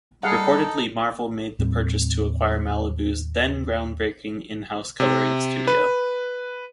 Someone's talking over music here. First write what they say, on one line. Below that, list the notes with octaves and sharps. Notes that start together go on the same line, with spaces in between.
Reportedly Marvel made the purchase to acquire Malibu's then-groundbreaking in-house coloring studio.
G3 D#4 G#4 A4 F5 F#5
D#2 A2 G3 C4
C3
B4